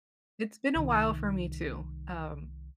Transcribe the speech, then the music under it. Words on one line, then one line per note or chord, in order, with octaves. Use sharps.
it's been a while for me too, um,
C2 D#3